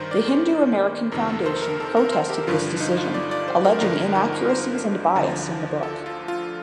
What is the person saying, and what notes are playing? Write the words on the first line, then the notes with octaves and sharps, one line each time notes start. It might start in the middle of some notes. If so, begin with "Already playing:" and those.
The Hindu American Foundation protested this decision, alleging inaccuracies and bias in the book.
Already playing: G2 D#3 A#4 C5
D5
C5
F2 C3 D#3 A#4
A4
C5
A#4
A4
A#4
C5
G4
G2 D3 F3 F4
D#4
F4
D5
D5
C5
A#4
G2 D3 F3 A#4
D#4
A#4
C5
D2 D3 F3
A4
F4
F4